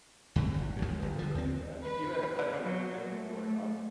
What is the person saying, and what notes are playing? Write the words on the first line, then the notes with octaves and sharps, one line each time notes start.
YouTube video or something like that, even if I don't understand what's going on,
F2 A2 D3 D#3
G#1
D#2 F3 F#3 G#3
G1
D3 F3
D#2 C4
B4
F#3
A3